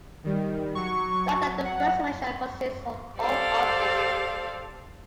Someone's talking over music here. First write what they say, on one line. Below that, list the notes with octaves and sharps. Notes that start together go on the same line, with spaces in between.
Note that the first measure consists of all offbeats.
D#3 G3
F#3 C#6
F#5
G4 A4 C5 D5 F5